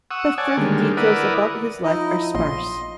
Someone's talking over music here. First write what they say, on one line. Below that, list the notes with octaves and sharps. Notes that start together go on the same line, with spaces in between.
But further details about his life are sparse.
F#5 C#6 D#6 E6
C#5 D5 F#5 G#5 A5
D3 D#3 G3 G#3 A#3
E4 A#4 B4 D5 F#5 D#6
F3 D#4 E4 D#5
A#1 D#5 C6